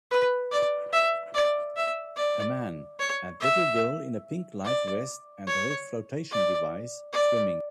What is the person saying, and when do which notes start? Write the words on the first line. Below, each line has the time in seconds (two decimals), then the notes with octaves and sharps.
A man and little girl in a pink life vest and red flotation device swimming.
0.11 B4
0.51 D5
0.93 E5
1.34 D5
1.76 E5
2.16 D5
2.99 C#5
3.40 E5
4.64 D5
5.47 C#5
6.31 D5
7.13 D5